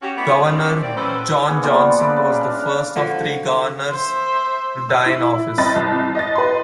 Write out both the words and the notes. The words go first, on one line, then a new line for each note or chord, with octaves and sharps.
Governor John Johnson was the first of three governors to die in office.
C#4 F#4 G4
A3 B3 E4 F#4 D5
E2 B2 G3 C4 C#4 D5
A#3 C4 E4 D5
C#4 E4 F#4 A4 B4 C5
A#3 B3 F#4 G#4
F3 G3 F4 D5
A#4 B4 D5 E5
C#3 B4
F5
D4 F5
D3 F3 F#4
C5 E5
E6
E4
G1 C4 D#5 B5 A6
C2
D#5 A6
B4 C6